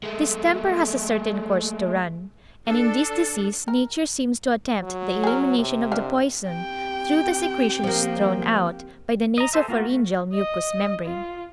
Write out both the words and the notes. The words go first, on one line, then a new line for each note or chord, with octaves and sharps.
Distemper has a certain course to run, and in this disease Nature seems to attempt the elimination of the poison through the secretions thrown out by the naso-pharyngeal mucous membrane.
G#3 A3
D4 A4 A5
A#4
F#3
G#4 A#4
C3
D3 F5
C4 G4 G5
F3 A#3
D#5 A#5
G#4 A4 C5 E5
A#3 F4 F#4
A3
D#5
F4